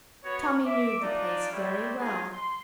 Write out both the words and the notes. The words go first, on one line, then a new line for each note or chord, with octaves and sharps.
Tommy knew the place very well.
B3 F#4 C#5
E5 D6
D4 D#4 F4 D5
G3 A3 C4 C#5 D5
G#3 D#4 F4 G#4
C6